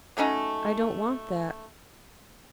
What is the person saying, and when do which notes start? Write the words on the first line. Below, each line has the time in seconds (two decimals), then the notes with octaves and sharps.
I don't want that.
0.17 F#3 A3 C#4 D#4